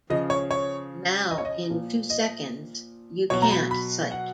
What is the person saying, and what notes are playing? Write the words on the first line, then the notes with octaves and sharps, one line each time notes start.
Now, in two seconds, you can't sight.
C#3 F3 D#5
C#5
C#5
D#5
C#5
D#5
A#2 F3
D#5
B2 F#3 C#5
A#5
B5
B5
F#5